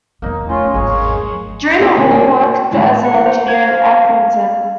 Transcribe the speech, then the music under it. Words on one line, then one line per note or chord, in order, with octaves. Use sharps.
During the war, worked as an engineer in Accrington.
D#2 A#3 B3 D#4
A3 C#4 F4
G#1 E2 G#3 G#4 C#5 F5
E4 F4 G#4 A4 C5 D5
C3 D#3 B3
A#3 C#4 D4 F#4
F#4
A2 D3 E3 G3 G#3
F#5
C5
G#6
F5